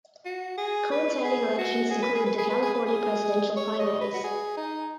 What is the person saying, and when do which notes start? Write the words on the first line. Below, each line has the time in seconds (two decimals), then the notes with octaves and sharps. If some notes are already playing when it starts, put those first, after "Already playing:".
Coinciding elections included the California presidential primaries.
0.25 F#4
0.57 G#4
0.91 B4
1.24 G#4
1.58 F#4
1.90 G#4
2.02 B4
2.15 G#4
2.26 B4
2.38 G#4
2.50 B4
2.62 G#4
2.74 B4
2.86 G#4
3.57 C#5
3.79 D#5
4.01 B4
4.13 F#4
4.24 G#4
4.57 D#4